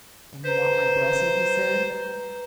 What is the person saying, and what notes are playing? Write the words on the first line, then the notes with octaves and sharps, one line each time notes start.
"And you want my blessing?" he said.
B4 C5 A#5